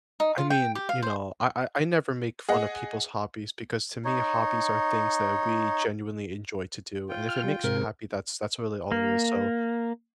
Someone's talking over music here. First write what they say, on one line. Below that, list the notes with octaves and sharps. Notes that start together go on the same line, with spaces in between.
I mean, you know, I I I never make fun of people's hobbies because to me, hobbies are things that we genuinely enjoy to do and if it makes you happy that's that's really all it is so,
D#4
F4
G5
G4
F5
C5
G#4 D#5 F#5
D#4 C#5
F4 G5
F6
G3
G#2 C3 A#4
A#3